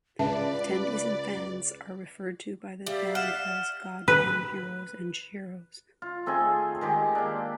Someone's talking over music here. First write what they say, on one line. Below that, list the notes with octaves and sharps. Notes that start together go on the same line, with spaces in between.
Attendees and fans are referred to by the band as Goddamn Heroes and Sheroes.
C#2 B4 D5 E5 A5
G3 D5 E5 F5
F#5 F6 E7
B4
F4
A3 C4 D#4 G#4
D#3 G#3 G4
A#3 D4